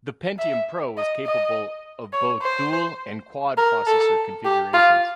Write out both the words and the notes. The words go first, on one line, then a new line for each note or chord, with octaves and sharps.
The Pentium Pro was capable of both dual- and quad-processor configurations.
E5
D#5
D#5
C#5
C5
A#4
A4
G4
F4